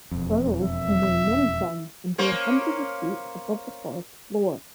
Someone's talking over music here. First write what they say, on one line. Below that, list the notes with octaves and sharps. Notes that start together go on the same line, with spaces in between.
Burls can weigh many tons and grow hundreds of feet above the forest floor.
E1 F2
E5
A#3 C#4 C5